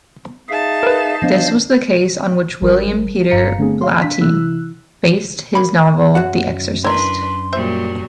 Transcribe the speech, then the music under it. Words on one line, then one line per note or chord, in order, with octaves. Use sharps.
This was the case on which William Peter Blatty based his novel "The Exorcist".
D#4 G#4 E5 F5 A5
A#4 B4
F3 B3 D4 C5 D#5 F5
G#1 G3 A#4
G1 G2 F5 A#5 C#7
D3 A3 B3 C4 D4 G#4
F5 C6
D4 B6
C3 E3 E4 E6 F#6
A#3 B5
F#2 F#4 F#5
D4 E4 A#4 B4 C6
A#2 F#3 G3 C5 E5